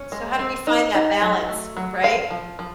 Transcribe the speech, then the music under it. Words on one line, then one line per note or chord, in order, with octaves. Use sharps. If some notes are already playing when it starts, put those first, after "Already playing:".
So how do we find that balance, right?
Already playing: C#4
G#3
C4
D#4
D#4
F#3
A3
F#3
F3 F5
F3
F3